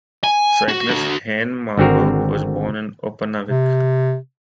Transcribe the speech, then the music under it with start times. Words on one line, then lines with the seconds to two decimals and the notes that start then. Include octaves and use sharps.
Cyclist Hanne Malmberg was born in Upernavik.
0.24 G#5
0.68 F#4
0.89 D3 F#4
1.78 G#1 D3 C4 F#4 A#4
3.50 C3